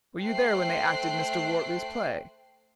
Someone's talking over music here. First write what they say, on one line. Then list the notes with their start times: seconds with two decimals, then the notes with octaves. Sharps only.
Were you there when they acted Mr. Wortley's play?
0.22 A3 C5 G5 F#6 C7